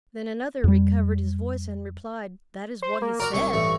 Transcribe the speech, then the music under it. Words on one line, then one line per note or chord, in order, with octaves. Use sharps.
Then another recovered his voice, and replied, "That is what he said."
F2 G3
C5
A#3
F#4 A#4 D5 A#5
C2 C#4 C#6 D6
A1 G2 A3